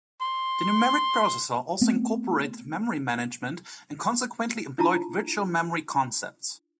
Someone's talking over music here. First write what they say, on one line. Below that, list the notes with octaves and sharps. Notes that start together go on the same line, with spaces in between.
The numeric processor also incorporated memory management and consequently employed virtual memory concepts.
C6
A3 B3 C4
D4 E4 F4 A5 A#5